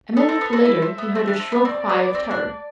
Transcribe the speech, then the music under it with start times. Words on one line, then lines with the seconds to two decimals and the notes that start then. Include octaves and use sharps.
A minute later he heard a shrill cry of terror.
0.16 B3 A4
0.29 C4
0.41 B3
0.53 C4
0.65 E4 E5
0.82 C4
0.98 B3
1.15 C4
1.27 D4
1.40 C4
1.52 B3
1.65 C4 D5
1.89 B3
2.15 C4
2.31 D4